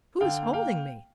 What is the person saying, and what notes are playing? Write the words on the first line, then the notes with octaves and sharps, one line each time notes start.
Who is holding me?'
D3 F5 G5
A#3
F5 G5